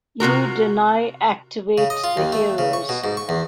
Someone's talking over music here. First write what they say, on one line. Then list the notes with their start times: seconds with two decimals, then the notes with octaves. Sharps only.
You deny activate the heroes.
0.20 C3 F4 F#4 A#4
1.78 C#3
1.90 D#5
2.04 F4
2.17 D#2
2.32 A3
2.58 C#3
2.73 C#6
2.89 B2
3.04 G#2
3.17 C#6
3.29 E2